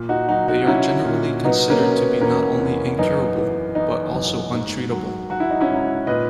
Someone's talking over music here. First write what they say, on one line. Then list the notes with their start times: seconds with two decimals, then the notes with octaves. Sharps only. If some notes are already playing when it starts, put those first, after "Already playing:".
They are generally considered to be not only incurable but also untreatable.
Already playing: A#2
0.09 D#4 F#4
0.28 F#3 D#4 F#4
0.48 D#4 F#4
0.66 F#3 C#4 E4
1.05 A#2
1.44 F#3 B3 D#4
1.70 A#3 C#4
1.83 B2
1.96 B3
2.21 E2 A#3 C#4
2.60 E2
2.98 F#2 B3 D#4
3.37 E3
3.75 E3 B3 D#4
4.14 F#2
4.53 G#2
4.91 F#3
5.30 F#3 F#4
5.40 E4
5.50 D#4
5.61 C#4 E4
5.69 G#2
6.07 A#2 B4 D#5